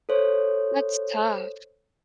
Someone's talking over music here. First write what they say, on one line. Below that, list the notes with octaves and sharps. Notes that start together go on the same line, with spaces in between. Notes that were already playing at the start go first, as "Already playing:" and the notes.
that's tough.
A4 C5 C#5